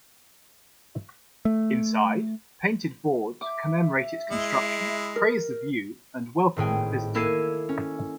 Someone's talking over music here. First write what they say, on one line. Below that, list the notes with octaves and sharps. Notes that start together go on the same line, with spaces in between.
Inside, painted boards commemorate its construction, praise the view and welcome the visitor.
A3
E5 D6
G#3 E4
A#4
G#1 A2 G#4 G5
A#3 E4 A4 G#6 C7 D#7
C#4